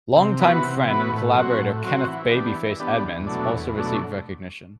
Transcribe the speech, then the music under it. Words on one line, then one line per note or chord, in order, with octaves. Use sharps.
Long-time friend and collaborator Kenneth 'Babyface' Edmonds also received recognition.
C3
E3 B3 F#4 B4
C3
E3 B3 F#4 B4
A2
F#3 C4 F#4
A2
F#3 C4 F#4
E3
B3 D4 G4
E3
B3 D4 G4
E2
B2 F#3 A3 D4
E2
B2 F#3 A3 D4